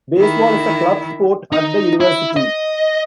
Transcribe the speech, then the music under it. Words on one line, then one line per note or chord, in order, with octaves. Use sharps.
Baseball is a club sport at the university.
D#3 E4
D#4
E4
D#5